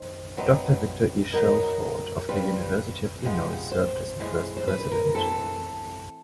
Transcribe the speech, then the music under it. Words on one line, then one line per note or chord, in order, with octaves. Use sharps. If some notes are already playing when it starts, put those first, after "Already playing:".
Doctor Victor E. Shelford of the University of Illinois served as the first president.
Already playing: D#3 C5
F#3 A3 C4 D#4 B4
F#3 B3 D#4 A#4
G3 C4 F4 B4
C3 F3 G#3 B3
C5
A2 E3 G#3
C5
B4
A#4
E3 A3 C4 A4